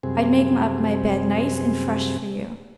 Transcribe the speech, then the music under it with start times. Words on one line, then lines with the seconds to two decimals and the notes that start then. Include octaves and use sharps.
I'd make up my bed nice and fresh for you.
0.03 F#2 C3 G3 C4 G#4